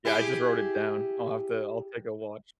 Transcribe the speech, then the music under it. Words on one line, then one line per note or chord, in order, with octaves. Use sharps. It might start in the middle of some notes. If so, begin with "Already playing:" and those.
Yeah, I just wrote it down. I'll have to I'll take a watch.
E4 G4 G#4